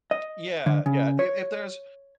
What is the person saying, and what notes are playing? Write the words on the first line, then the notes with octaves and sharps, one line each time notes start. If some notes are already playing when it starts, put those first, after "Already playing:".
Yeah, yeah. If if there's
D#5
D3
C#3
C#5